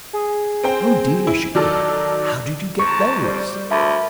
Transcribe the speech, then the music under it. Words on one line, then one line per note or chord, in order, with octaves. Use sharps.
"Oh dear!" she cried; "how did you get those?"
G#4
C4 C5 G5
E4
D#3 F#3 A4 D5
F2 A5 A#5 C#6
G3 C5 D5
D2 A#4 E5 A5 B5